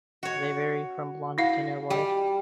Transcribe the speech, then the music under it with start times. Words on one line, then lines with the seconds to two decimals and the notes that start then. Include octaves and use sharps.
They vary from blonde to near-white.
0.23 F#4 C#5
1.38 E4 F5 F#5
1.90 G3